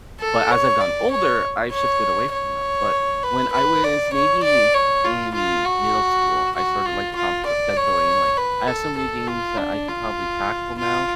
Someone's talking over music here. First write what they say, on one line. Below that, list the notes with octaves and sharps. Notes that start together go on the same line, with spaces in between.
But as I've gotten older, I've shifted away from them, but when I was maybe in middle school, I started to like the concept of scheduling, like, I have so many games that I could probably tackle now,
A4
C#5
D5
C#5
C#5
C#5
B4
B4
D5
C#5
D5
C#5
F4
F4
F#4
F#4
F4
F4
D5
C#5
B4
A4
A4
F4
D4
F4
F4